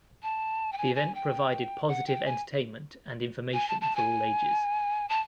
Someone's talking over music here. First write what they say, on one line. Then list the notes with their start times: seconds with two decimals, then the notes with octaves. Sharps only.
The event provided positive entertainment and information for all ages.
0.23 A5
0.72 G5
0.78 G#5
0.95 G#5
1.15 G5
1.88 F#5
2.07 G5
2.26 G#5
3.54 G#5
3.69 A5
3.81 A5
3.96 G#5
5.09 A5